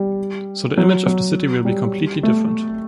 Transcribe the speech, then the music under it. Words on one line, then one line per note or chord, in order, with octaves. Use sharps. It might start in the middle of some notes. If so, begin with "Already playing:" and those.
So the image of the city will be completely different.
Already playing: G3
F#3
F#3
G3
A3